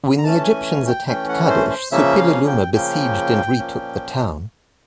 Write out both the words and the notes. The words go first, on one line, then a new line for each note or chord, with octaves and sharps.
When the Egyptians attacked Kadesh, Suppililiuma besieged and retook the town.
A#5
E3 A3 C#4 A5
G#5
G#5
G5
E3 A3 C#4 G5
F#5
C5
C5
C#3 F3 A#3 C#4 E5
F5
G5
C#3 F3 A#3 C#4 G5
A#2 F3 A#3 C#4